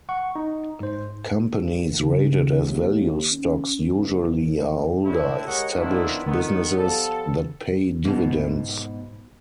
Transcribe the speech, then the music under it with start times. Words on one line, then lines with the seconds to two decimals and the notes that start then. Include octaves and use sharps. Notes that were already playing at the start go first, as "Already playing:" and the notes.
Companies rated as value stocks usually are older, established businesses that pay dividends.
0.09 F#5 C#6
0.35 D#4
0.80 G#2 C5
1.97 C#3
2.61 D#2
3.32 C#4
3.94 F#1
5.05 A2 D3 E4
5.46 G#3 G4 A#4 C#5 D#5 F#5
5.77 D#3 F3 B3 D4 E4
6.26 D#3 F#3 B3
6.77 F3 G3 B3 A4
8.05 G#2 B2